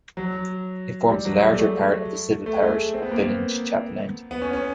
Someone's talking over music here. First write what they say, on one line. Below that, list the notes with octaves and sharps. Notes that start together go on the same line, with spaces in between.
It forms the larger part of the civil parish of Billinge Chapel End.
F#3
G3
F#3
G#3
G3
A3
A3
G#3
A3
C4
B3
A#3
B3
B3
C#4
C#4